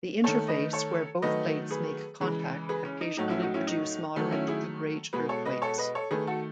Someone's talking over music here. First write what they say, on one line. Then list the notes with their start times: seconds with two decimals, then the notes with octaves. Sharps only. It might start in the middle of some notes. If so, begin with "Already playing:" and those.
The interface where both plates make contact occasionally produce moderate to great earthquakes.
0.24 D#3 A3 A4 C#5
0.48 B4 D#5
0.73 A4 C#5
1.22 D#3 F#3 A3 B4 D#5
1.71 G#4 B4
2.20 C#3 E3 G#3
2.69 G#4 B4
2.85 C#4
3.01 D#4
3.17 A2 F#3 A3 D#4
3.29 C#4 E4
3.42 D#4 F#4
3.54 C#4 E4
3.67 D#4
4.16 D#3 F#3 A3
4.31 C#4 E4
4.48 E4 G#4
5.13 B2 G#3 G#4 B4
5.29 A4 C#5
5.45 B4 D#5
5.62 A4 C#5
5.78 B4 D#5
5.95 A4 C#5
6.11 D#3 A3 G#4 B4
6.27 F#4 A4